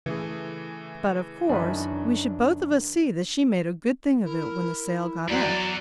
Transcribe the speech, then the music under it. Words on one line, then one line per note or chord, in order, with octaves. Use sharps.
But, of course, we should both of us see that she made a good thing of it when the sale got up.
C#3 E3 A3 G#4
F#2 D#3 D4 B4
E4 A#4
E2 F#3 D5